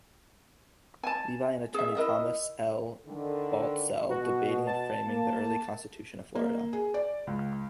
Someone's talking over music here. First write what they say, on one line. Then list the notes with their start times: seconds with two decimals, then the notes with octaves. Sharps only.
Levy and Attorney Thomas L. Baltzell debating and framing the early constitution of Florida.
1.03 G#5 A5
1.74 G#4 E5
1.95 E4 A#4 D#5 E5
3.07 D3 D#3
4.10 B2 F#4
4.67 A5
5.05 A#3
6.35 A#3
6.73 G#4
6.94 D5
7.27 C#2